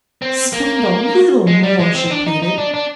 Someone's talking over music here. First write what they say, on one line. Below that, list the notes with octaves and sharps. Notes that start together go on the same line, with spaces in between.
"Spend a little more," she pleaded.
C4
A#3
G#3
G3
G#3
C4
C4
D4
D#4
D#4
D4
D4